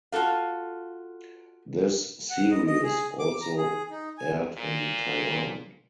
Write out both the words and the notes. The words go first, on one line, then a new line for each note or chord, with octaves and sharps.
This series also aired in Taiwan.
F4 F#4 A4 F5
F#5
D#5
D#5
G#4
D6
A#5
G#4
D#4
G#5
A#2